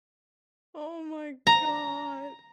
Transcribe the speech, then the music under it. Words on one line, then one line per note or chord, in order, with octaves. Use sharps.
Oh, my god.
A#5